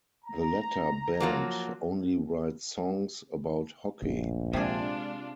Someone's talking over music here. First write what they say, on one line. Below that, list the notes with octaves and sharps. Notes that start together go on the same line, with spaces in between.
The latter band only writes songs about hockey.
A#5
F3 F#3 A#3
D1 A#1 F#2
C3 G#3 D4 F4 G#4